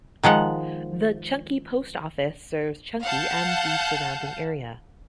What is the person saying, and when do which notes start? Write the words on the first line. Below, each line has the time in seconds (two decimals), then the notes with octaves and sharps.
The Chunky post office serves Chunky and the surrounding area.
0.24 D#3 F3 G#3 F#5
3.03 F5 F#5 A5 G6